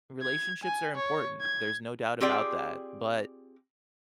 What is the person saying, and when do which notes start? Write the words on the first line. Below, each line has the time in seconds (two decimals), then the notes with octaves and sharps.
relationships are important. There's no doubt about that. But,
0.22 G#6
0.64 G#5
0.96 C#5
1.42 G#6
2.20 C4 F4 G4 G#4 D5 G5